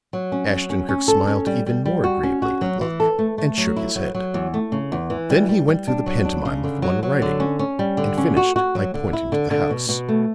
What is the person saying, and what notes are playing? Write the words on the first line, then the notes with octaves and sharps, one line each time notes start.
Ashton-Kirk smiled even more agreeably at Locke and shook his head. Then he went through the pantomime of one writing, and finished by pointing to the house.
F#3
C#4
F#3
C#4
C#4
A4
C#4
G3
G3
G3
F#4
C#4
F#4
F#3
E3
A4
A3
A3
F#3
E4
F#3
F#3
E2
A3
C#3
E2
E3
G3
G3
G3
D4
F#3
D4
C#3
D3
F#3
F#3
D3
C#4
C#4
G3
D3
C#4
F#4
F#4
F#3
D3
E4
D3
D3
B2
B2
A3